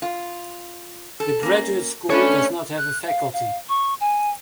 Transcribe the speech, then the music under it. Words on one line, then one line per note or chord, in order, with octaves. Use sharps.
The Graduate School does not have a faculty.
F4
A4
A#3 C#4
A3 C#4 D4 B4 C#5
F#6
F5
F5
C#6
G#5